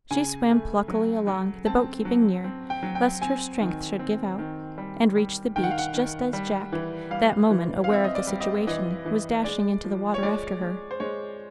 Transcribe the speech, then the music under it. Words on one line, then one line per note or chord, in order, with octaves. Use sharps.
She swam pluckily along, the boat keeping near, lest her strength should give out, and reached the beach just as Jack, that moment aware of the situation, was dashing into the water after her.
C#3 G#5
A3
F#3
F#3
C4 A5
F#3
C4
G5
F#3
G5
C4 G#5
D#3
C4
D#3
G3
G3
D#3 G5
F#5
F5
F#5
D#3
G3
E3
G3 F5
E3
F5
C4 E5
D#5
D5
G3
D#5
E3 D#5
E3
G#3 D5
F3
C#5
G#3 D5
G#3
C5
G#3 C#5